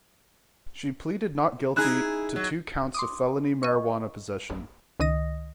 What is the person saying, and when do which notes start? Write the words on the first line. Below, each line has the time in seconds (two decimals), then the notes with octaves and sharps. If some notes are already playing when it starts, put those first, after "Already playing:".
She pleaded not guilty to two counts of felony marijuana possession.
1.76 D#4 E4 G#4 F#6 E7
2.36 F#3
2.94 C6 D6 D#6
3.63 D#5 C#6
5.00 C#2 D#3 D#5 D#6 A#6